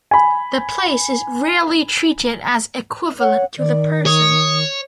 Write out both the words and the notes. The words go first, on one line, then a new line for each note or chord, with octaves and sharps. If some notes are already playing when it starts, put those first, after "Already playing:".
The place is rarely treated as equivalent to the person.
G#5 B5
C#5 F#5
D#3 D5
C#5 D#6